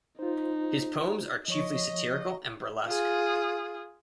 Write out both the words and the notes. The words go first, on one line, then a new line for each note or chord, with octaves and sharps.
His poems are chiefly satirical and burlesque.
D#4 F4 C5
F3 C#5 D#5 C#6
F4 G#4